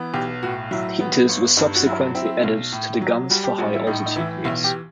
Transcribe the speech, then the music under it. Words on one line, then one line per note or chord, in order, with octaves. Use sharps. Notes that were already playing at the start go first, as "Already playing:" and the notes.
Heaters were subsequently added to the guns for high-altitude use.
Already playing: E3 B3
B1 G4
A2 F#4
F#3 E4
B3
G1
G2 D#4
F#4
F#3 E4
C4 E4
B1
A2
F#3
G3 F#4
G4
A1 F#4
E4
A2 D#4
D#4
E3 E4
B1 E4
G4